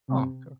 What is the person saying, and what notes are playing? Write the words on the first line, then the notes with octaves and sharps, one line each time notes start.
Oh, coo
C3